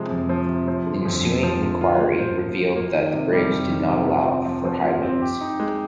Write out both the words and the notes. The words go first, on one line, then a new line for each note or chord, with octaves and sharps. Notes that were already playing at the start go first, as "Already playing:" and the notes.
The ensuing enquiry revealed that the bridge did not allow for high winds.
Already playing: C3 F3 G#3
F2
F3
C3
F3
D3
F2
F2
F3
D3
F4
A#3
C5
F3
F4
A#3
D#3
C3
G3
F2
D#3
C3
F4
C4
F3
F3
F4
C4
G4
D#4
G#3